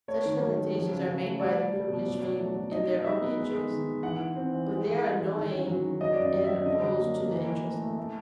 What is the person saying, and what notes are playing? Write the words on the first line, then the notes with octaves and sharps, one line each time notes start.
Such limitations are made by the privileged few in their own interest, but they are annoying and opposed to the interests of the many.
A3 C#5
D#3
F#3
F#3
F3
C#3
C#3
A3
G3 D5
G3
G3
B2
F#3
F#3
A3
F#3
D#4 D#5
D#4
D#4 E5
B3
G#3
G#3
D#3
D#3
E3 F#5
E3
C4
E3
G#3
E3
G#3
E3
D#3
C#4
F#3
D#3
F#3 D#5
F#2 D5
D#5
F#3
E5
F#3
D3 D#5
F#3
A#3
A#3
E3
E3
A3
A3
A3